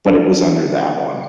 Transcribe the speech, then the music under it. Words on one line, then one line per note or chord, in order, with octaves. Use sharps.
but it was under that one.
D4